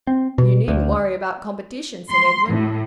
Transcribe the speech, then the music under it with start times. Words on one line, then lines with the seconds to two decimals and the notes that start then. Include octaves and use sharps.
"You needn't worry about competition," said Edwin.
0.07 C4
0.38 B2
0.68 D2
2.10 C6
2.49 A2